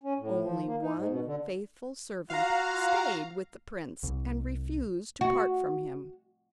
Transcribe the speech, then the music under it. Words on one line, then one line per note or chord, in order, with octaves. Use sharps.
Only one faithful servant stayed with the prince and refused to part from him.
C#4
A2
F3
A#3
D#4
G#2
B2
D3
F4 F#4 F5 F#5 A#5
C2
F#4